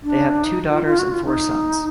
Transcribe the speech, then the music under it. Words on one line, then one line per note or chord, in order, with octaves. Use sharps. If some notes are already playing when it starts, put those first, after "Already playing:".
They have two daughters and four sons.
D4
D#4
F4
F4
F#4
F4
D#4